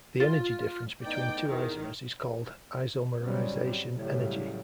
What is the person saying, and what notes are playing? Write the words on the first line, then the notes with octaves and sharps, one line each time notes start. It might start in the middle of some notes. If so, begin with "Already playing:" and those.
The energy difference between two isomers is called "isomerization energy".
F4
A2 B3 D#4 D5 G5
E2 D#3
G#2 C#3 F#3 G3 C4
A2 C#3 F#3 G3